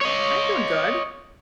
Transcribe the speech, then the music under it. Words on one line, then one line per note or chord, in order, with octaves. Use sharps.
I'm doing good.
C#5 D#5